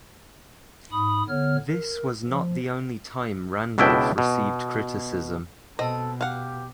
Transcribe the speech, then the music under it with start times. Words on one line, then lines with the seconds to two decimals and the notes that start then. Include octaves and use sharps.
This was not the only time Randolph received criticism.
0.92 G#2 B5 D#6
1.29 D3 B3 C#5 F6
1.71 A#4
2.29 F3
3.78 C#2 B2 D4 E4 E5 G5
4.18 B2
5.79 B2 C4 A4 D#5
6.21 G4 F5 F#5